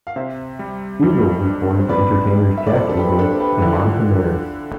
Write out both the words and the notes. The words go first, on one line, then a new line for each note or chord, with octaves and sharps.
Eagle was born to entertainers Jack Eagle and Monica Maris.
F5
C3 C5 E5
G3
F2
D4
C5
C3 B4 D5
G3
E5
D5
F2 A4 C5
A4
G4 B4
D4 A4 C5
C5
G4 B4
D3 E4 G4
E4
F4